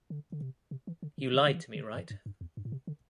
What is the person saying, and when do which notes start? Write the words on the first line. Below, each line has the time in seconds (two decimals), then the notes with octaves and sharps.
You lied to me right?
0.10 D3
0.32 D3
0.41 C3
0.71 C3
0.87 E3
1.03 D3
1.18 C3
1.34 D3
1.47 D3
1.54 E3
1.75 D3
1.95 G2
2.10 G2
2.26 G2
2.41 E2
2.57 G2
2.65 A2
2.72 C3
2.87 D3